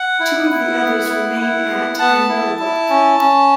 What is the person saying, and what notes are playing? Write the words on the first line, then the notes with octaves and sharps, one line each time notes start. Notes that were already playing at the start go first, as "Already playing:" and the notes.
Two of the others remain at and Milbrook.
Already playing: F#5
E4
E4
B3
E4
E4
B3
B3 A5
E4
E4
C#4
C#4